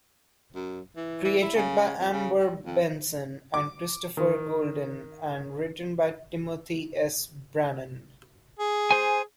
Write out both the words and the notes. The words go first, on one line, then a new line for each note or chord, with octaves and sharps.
Created by Amber Benson and Christopher Golden and written by Timothy S. Brannan.
F#2
E3
E3
E4
C#3
F2
C#3
G3
F2
D6
D#3
G#4
C5 G#5